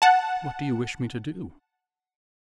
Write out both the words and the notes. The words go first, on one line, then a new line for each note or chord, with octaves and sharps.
"What do you wish me to do?"
F#5 A5